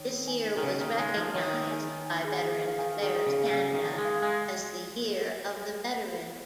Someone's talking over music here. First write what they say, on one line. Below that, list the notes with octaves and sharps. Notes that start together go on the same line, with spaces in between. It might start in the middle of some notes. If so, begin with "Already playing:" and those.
This year was recognized, by Veterans Affairs Canada, as the Year of the Veteran.
Already playing: D#3 C#5
A#3
G#5
D#4
D#3
C#3 C#5
D#3 A#3
G#3 G#5
F3 D#4
D#3 C#5
A#3
G#5
D#4
G#5
G#4
G#4
F5
D#3 G#5
G#4
D#3
G#4
C#3
F5
C#3 G#5
G#4
D#3
G#4
G#3
F5
G#3 G#5